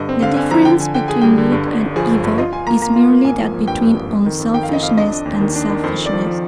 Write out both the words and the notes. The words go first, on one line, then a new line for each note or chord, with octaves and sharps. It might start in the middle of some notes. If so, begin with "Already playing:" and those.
The difference between good and evil is merely that between unselfishness and selfishness.
Already playing: G2 D3 D#5
C4
D3 F5
D3 G#5
F3 A#5
D3 G5
D3 G#5
D3 G5
G#4 G#5
G3 G5
D3
G2
G1
G1
F3 G#4
G1
G2
F4 D#5
F4 G#5
A#3 A#5
A#3 A#5
F4
A#3
G#1 G#5
F3
F3
G2 G5
G2
G#1
F2
D#3
F2
D#3 G5
F5
F2 D#5
F2 F5
D4 D#5
D4
D#2
D#3
D4
D#3
F2 C5
F2
D5
F3
F3